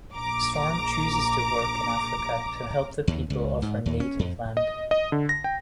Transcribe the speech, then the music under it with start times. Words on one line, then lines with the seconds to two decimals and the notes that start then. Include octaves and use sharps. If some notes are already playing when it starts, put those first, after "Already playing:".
Storm chooses to work in Africa, to help the people of her native land.
0.14 A#1 A#5 D6
3.08 D#2
3.30 C#2
3.62 G#2
3.86 D#2
4.00 C#4
4.19 F2
4.57 D#5
4.91 D#5
5.12 D3
5.29 A#6
5.44 G5